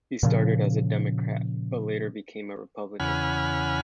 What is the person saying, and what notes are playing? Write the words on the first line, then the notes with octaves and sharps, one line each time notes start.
He started as a Democrat, but later became a Republican.
A#2 C#3 F3
E2 C#3 F#5 G#5 B5 F6